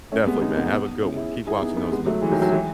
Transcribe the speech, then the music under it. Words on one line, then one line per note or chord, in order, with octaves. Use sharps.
Definitely, man, have a good one. Keep watching those movies.
A3 C#4
G#3 B3
B3 D#4
B3 D#4
B3 D#4
C#4 E4
E4 G#4
E4 G#4
B3 D#4
B3 D#4
G#3 B3
F#3 A3
E3 G#3
D#3 F#3
D#3 F#3
E3 G#3